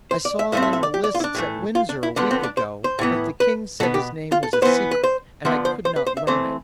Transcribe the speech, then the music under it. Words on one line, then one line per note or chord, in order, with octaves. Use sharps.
I saw him in the lists at Windsor a week ago, but the king said his name was a secret, and I could not learn it.
C5
D5
E5
A2 F3 A3 C4 E5
E5
E5
D5
G4
D5
F4
E4
D4
A2 E3 A3
F4
D4
E4
D3 F3 B3 D4
C4
D4
C5
C5
A2 E3 B3
B4
B2 B3 A4
G4
F4
A4
B4
E3 B3 C5
B4
C5
D3 F3 B3 E5
C5
C5
B4
C5
E5
E3 A3 C4 C5